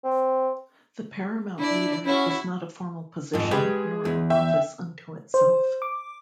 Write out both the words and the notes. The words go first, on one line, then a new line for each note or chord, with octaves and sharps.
The "paramount leader" is not a formal position nor an office unto itself.
C4
D4 E4 D5
C#4 E4 F#4
F2 G#2
G#3 G4 G#4 B4
E2
E5 G5
C5
D6